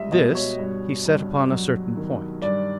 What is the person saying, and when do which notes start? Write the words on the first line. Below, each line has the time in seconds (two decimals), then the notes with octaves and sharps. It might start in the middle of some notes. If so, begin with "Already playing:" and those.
This he set upon a certain point.
Already playing: C#2 G3 D#5 E5
0.12 B2 D#5
0.35 C#5
0.58 G2
1.05 G2
1.51 F#3
1.97 D#3
2.42 G2 D5